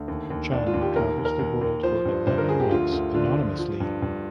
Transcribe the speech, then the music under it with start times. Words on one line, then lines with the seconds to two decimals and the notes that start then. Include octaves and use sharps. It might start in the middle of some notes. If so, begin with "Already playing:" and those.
Chun travels the world for eleven months anonymously.
Already playing: D2
0.08 D#2
0.30 D#2
0.52 D#2 D4
0.67 F4
0.74 D#2
0.81 G4
0.96 D#2 A#4
1.18 D#2
1.25 A#4
1.39 D#2
1.61 D#2
1.83 F3 C5
2.05 G2
2.27 G2 C5
2.38 A#4
2.49 F3 G#4
2.60 G4
2.71 D2 F4
2.92 D2
3.14 D3 F4
3.37 F3
3.58 F3
3.80 G2
4.02 G2